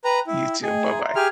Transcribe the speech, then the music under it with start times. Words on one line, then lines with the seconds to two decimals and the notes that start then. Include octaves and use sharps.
You too, buh-bye.
0.04 B4 G5 A#5
0.27 E4
0.63 A3 G#4 D#5 G5
0.90 E5 A#5 C6
1.16 G4 G#4 F6